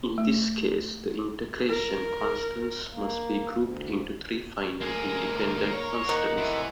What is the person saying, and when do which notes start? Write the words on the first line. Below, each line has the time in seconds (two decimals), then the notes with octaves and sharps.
In this case, the integration constants must be grouped into three final independent constants.
0.18 A3
1.68 A#4
2.90 A#3
3.52 D2
4.81 D2 A#3 G#4 A#4
5.73 C#5
6.09 D#3 F#5
6.38 C3 E3 A3